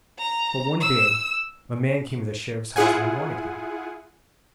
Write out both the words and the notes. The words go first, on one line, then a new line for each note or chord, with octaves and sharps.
For one day a man came to the Sheriff's house and wanted him.
A#5
E6
E4 F4 G#4 F#5 G#5